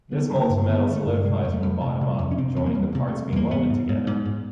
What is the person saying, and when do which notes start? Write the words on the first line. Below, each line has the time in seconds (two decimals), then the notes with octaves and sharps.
This molten metal solidifies from the bottom up, joining the parts being welded together.
0.12 D3 B3
0.31 G2
0.40 A#3
0.49 G2
0.68 D3 B3
0.87 D3
0.96 A3
1.06 G2
1.24 C3 G#3
1.44 F2
1.54 A3
1.62 F2
1.81 C3
2.01 C3
2.19 F2
2.31 C#4
2.38 C3 C4
2.56 E2
2.66 A#3
2.75 E2
2.95 C3
3.08 C3 A3
3.32 E2 A#3
3.51 G#2 B3
3.70 G#2
3.89 G#2
4.07 G#2
4.25 G#2